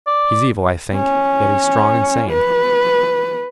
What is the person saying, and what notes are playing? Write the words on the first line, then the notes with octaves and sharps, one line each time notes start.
"He's evil, I think, yet he's strong and sane."
D5
C#4
B4